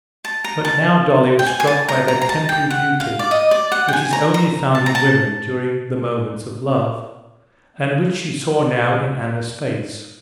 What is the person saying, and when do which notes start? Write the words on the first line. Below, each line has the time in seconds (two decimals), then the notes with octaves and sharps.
But now Dolly was struck by that temporary beauty, which is only found in women during the moments of love, and which she saw now in Anna's face.
0.25 A5
0.44 A#5
0.65 A5
1.39 G5
1.46 G#5
1.60 G#5
1.67 A5
1.89 A#5
2.08 A#5
2.22 A#5
2.29 A5
2.49 G5
2.70 F#5
3.00 F5
3.19 D5
3.31 D#5
3.51 D5
3.72 F#5
3.88 G5
3.93 G#5
4.13 A#5
4.34 A#5
4.75 A5
4.86 A#5
4.95 A5